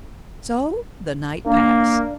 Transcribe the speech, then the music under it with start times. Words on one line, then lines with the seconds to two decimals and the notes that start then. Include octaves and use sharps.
So the night passed.
1.46 A#3 D4